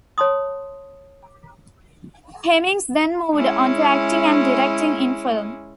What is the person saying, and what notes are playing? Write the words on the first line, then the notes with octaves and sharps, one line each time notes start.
Hemmings then moved on to acting and directing in film.
C#5 A5 C6 D#6
G#3 C#4 E4